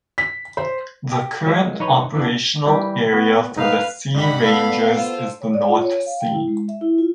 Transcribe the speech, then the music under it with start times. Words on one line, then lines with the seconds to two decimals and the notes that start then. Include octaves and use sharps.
The current operational area for the Sea Rangers is the North Sea.
0.18 B6
0.57 C5
1.12 G4
1.45 F3 F#3 G#3
1.80 D#4 B4 C#5
2.15 E3 B3 D4
2.65 E3 G3 G4
3.13 B3 F#4
3.57 G#2 D#4 B4 F5
4.14 G#2 D#4 G4 D5 F#5 B5
4.46 B3 A4 F5
4.92 F4 C5
5.41 C#5
5.54 D5
5.69 F4
5.82 C#5
6.06 F5
6.20 G5
6.34 E4
6.48 G#3
6.68 E5
6.81 E4
6.98 F4